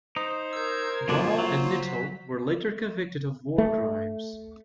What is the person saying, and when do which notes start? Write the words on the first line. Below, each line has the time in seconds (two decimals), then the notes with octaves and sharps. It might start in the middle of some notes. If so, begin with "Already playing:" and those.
Mahl and Knittel were later convicted of war crimes.
0.16 D#4 C5
0.53 A#4 E6 G6 G#6
1.08 F#2 B2 A#3 D4 F4
1.39 F#3
1.81 B6
3.58 A3